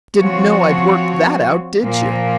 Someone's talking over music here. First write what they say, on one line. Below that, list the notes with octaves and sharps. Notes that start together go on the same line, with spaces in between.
Didn't know I'd worked that out, did you?
F3 C4 F#4 C#5
A#2 F3 A#3